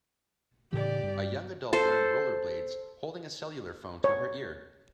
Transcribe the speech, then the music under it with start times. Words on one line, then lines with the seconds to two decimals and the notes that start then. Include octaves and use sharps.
A young adult wearing rollerblades, holding a cellular phone to her ear.
0.73 A2 C#3 E3 G4 D5
1.03 G2
1.73 A4 C5
4.04 C#5